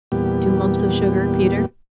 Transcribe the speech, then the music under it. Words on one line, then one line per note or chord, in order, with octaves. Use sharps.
"Two lumps of sugar, Peter?"
E2 A#2 G3 B3 G4